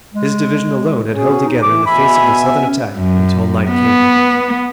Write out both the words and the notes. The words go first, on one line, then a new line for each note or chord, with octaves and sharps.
His division alone had held together in the face of the Southern attack until night came.
G#3
B2 C#4 G#4
D#4
E3 D6
B2 E5 G#5 B5
C#4
F#2
B3